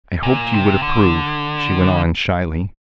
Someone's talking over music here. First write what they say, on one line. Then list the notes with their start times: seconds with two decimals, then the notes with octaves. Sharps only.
"I hoped you would approve," she went on, shyly.
0.23 A#2
0.53 C3
0.82 D3